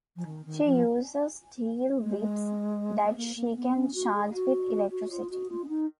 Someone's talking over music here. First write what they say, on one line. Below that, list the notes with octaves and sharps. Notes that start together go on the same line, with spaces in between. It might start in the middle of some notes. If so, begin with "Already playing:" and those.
She uses steel whips that she can charge with electricity.
F3
D#3
D#3
F3
G#3
B3
A#3
A#3
B3
C#4
F#4
G#4
G#4
F#4
F#4
F4
F#4
F4
C#4
D#4